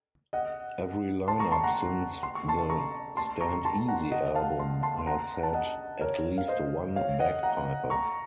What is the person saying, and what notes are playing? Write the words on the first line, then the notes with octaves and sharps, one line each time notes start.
Every line-up since the "Stand Easy" album has had at least one bagpiper.
D#5 F#5
A5 C6
A#5 C#6
A5 C6
F#5 A#5
C6
C#6
A5 C6
A#5 C#6
A5 C6
A#5 C#6
A5 C6
F#5 A#5
D#5 F#5
F5 A5
A5 C6
A5 C6
C6
F#5 A#5
A5
D#5 F#5
A#4 C#5
F5
C5 D#5
C#5 F5
D#5 F#5
F#5 A#5
A#5 C#6